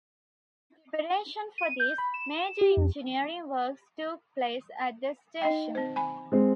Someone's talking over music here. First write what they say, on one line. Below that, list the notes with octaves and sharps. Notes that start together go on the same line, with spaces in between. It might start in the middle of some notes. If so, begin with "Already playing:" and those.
In preparation for this, major engineering works took place at the station.
D#7
G6
B5
E7
G4
F2
D#4 D#5 G5
C4 C5
G#5 B5
G#3 C4